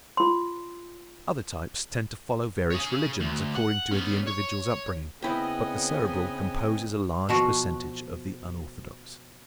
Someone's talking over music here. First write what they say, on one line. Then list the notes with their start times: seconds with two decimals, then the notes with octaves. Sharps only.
Other types tend to follow various religions--according to the individual's upbringing--but the Cerebral composes a large percentage of the unorthodox.
0.17 F4 C6
2.70 G#4 C#5
3.20 D2
3.55 F#5
3.91 B3 C#4
4.27 C#5
5.22 C#3 B3 C4 E4 D#5 G5 G#5
7.29 B2 F3 F#4